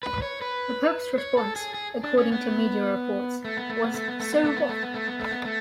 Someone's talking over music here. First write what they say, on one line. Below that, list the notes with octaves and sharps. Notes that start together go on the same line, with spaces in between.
The pope's response, according to media reports, was so what?
B4
C#5
B4
C#5
A4
G#4
G#4
D4
C#4
B3
A3
B3
A3
B3
A3
B3
A3
B3
A3
B3
A3
B3
A3
B3
A3
B3
A3